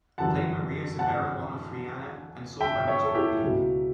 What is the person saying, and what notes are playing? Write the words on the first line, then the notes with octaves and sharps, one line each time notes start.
Play Maria Severa Onofriana and sort by most popular.
G1 F#2 E3 G3 F#5 A5
F#5 A5
E5 G5
C#5 E5
A4
E4 G4
C#2 B2 F#3